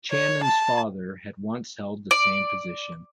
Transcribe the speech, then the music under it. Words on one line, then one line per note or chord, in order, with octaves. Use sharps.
Channon's father had once held the same position.
C#5
A5
D5